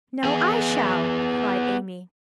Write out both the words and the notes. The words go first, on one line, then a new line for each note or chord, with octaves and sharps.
"No, I shall!" cried Amy.
B3 G#4